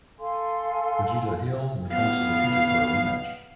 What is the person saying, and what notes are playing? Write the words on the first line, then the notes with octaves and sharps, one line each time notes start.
Vegeta heals and returns to the future for a rematch.
A4 F5 G#5 C6
B3 F5